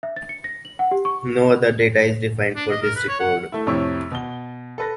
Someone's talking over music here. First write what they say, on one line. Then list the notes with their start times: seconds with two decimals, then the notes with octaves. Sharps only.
No other data is defined for this record.
0.03 E5
0.16 A6
0.29 C#7
0.44 A#6
0.65 F#7
0.79 F#5
0.91 G4
1.05 C#6
2.56 D4
2.70 D#5
2.83 A#4
2.96 B4
3.09 C#5
3.20 F#5
3.52 A3 E4
3.67 F2 A2 C3 C#5 C#6 E6
4.11 B2 G7
4.78 A4 B4 A#6